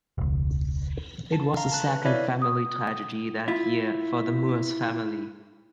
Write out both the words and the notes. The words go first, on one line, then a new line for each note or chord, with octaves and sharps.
It was the second family tragedy that year for the Moores family.
E1 C#2
A5
F5 A#5
A5 F#6
B4
E4 B4 C#5 D5 E5 F5
D#6
E4 F4